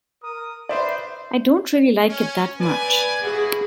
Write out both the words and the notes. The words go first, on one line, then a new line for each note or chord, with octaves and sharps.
I don't really like it that much.
A#4 D#6
B4 C5 D5 E5
C#4
C4 B4 D5 G#5
A#3 E4 F#4 G#4